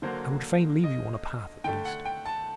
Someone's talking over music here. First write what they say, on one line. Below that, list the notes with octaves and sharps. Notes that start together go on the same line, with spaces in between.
I would fain leave you on a path, at least.
D3 F#3 A#3 C5
D#5
D3 A3 G5
F#5
G5
A5